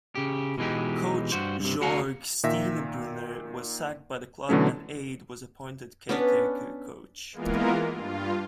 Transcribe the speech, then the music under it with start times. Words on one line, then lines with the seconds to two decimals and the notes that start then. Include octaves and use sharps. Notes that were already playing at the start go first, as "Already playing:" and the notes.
Coach Jorg Stienebrunner was sacked by the club and Aide was appointed caretaker coach.
0.15 C#3 G4
0.58 B2 E3 G#3 D#4 G4
1.32 G2 F#4 C5
1.60 G2 C3
1.81 D2 D3 F#4 F5 F#5 A#5
2.44 A#2 D#3 E5 A#6
4.49 B2 D3 E3 F#3 A3 C#4
6.09 B3 C#4 D4 B4
7.32 E3 G#3 A#3 B3 F4 A#4
7.91 G2 F4